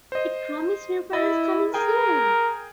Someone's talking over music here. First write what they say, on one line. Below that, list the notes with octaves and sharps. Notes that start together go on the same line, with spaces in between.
It promised new products "coming soon".
C5 D#5
E4 D#5 B5 A6
G#4 A#4 G5 G#5